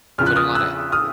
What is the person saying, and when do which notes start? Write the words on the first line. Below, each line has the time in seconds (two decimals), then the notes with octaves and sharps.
putting on a
0.18 E2 C#3 F3 F6
0.27 F#6
0.36 D#6 F6
0.55 E6 F#6
0.92 D#6 F6